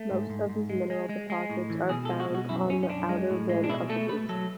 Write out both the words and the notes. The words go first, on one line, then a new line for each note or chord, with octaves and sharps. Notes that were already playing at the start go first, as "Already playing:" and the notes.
Most of these mineral deposits are found on the outer rim of the basin.
Already playing: A3
G#2
G#2
G#2
G#3
G#3
G#3
G#3
A2
E3
B2 G#4
A4
G#3
F#4
B2 F#4
F#2 E4
F#2 C#4
C#4
F#2 D4
G#3
A2
G#3
D4
B2 E4
A3 A4
A3 B4
F#3 A4